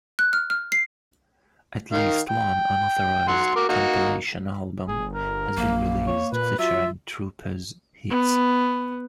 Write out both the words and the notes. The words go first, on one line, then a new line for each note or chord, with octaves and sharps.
At least one unauthorised compilation album has been released featuring Trooper's hits.
F#6
F6
F6
C7
D#3 F5
G5
F#3 F#5 C6
F#4 A#4 D6
A#3 D#4 F#4
G1 G#4
A#4
A#1 A#3
C#5
A#2 B4
F#3 F4 E5
B3